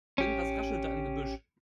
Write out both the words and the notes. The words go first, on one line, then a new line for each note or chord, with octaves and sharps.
Irgendetwas raschelt da im Gebüsch.
A1 C#4 G4